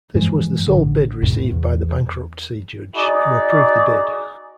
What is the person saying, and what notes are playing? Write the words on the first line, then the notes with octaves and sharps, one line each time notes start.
This was the sole bid received by the bankruptcy judge, who approved the bid.
G2 E3 F3 G#3
A1 D3
A#1 F2 A2 C3
E2
D#4 F#4 G#4 D5